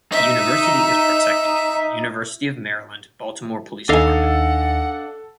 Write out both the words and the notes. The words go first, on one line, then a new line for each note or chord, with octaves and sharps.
The university is protected through the University of Maryland, Baltimore Police Department.
D#4 E5
D#2 D4 D#4 A4 D#5 F5 F#5 G#5